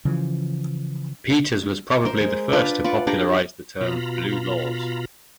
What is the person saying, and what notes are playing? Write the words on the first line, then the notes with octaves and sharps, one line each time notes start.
Peters was probably the first to popularize the term "blue laws".
C#3 E3 F3
A#4 C5
G#3
D4 F4 B4 G5
F4 B4 D5 C#6
D4 G4 D5 A#5
B2 F4 A#5 B5